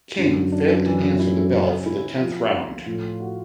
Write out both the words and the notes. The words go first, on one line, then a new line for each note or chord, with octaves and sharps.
King failed to answer the bell for the tenth round.
F#2 D3
D4
E3
E4
C#3
E4
F3
F4
A2 F3
F#4